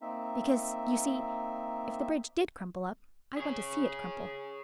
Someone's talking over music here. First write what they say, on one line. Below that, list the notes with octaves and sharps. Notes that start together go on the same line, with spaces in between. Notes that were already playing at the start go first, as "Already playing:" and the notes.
Because, you see, if the bridge DID crumple up I'd want to SEE it crumple.
A#3 C4 D#4 E5
G#4 C#5